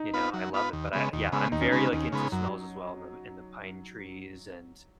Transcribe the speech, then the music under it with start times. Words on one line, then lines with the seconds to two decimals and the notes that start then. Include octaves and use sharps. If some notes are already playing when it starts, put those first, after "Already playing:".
you know, I love it, but I yeah, I'm very like into smells as well in the in the pine trees and,
Already playing: D#4
0.14 B3 F4 B4
0.34 F#3
0.54 B3 F4 B4
0.73 D#2
0.93 C#3 G#3 B3
1.13 D#2
1.32 C#3 G#3 B3
1.52 D#2 D#4
1.61 C#4
1.70 C#3 G#3 B3 D#4
1.93 D#2
2.12 C#3 G#3 B3
2.32 F#2 F#3